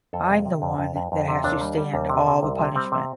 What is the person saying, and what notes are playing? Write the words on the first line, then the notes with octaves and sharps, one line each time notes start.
I'm the one that has to stand all the punishment.
F2 A4
C3
C3
F2
F2
F2
F2
C3
D#2 D4
G3
G3
D#2
C3
C3
C2
C3
G3 C4
C3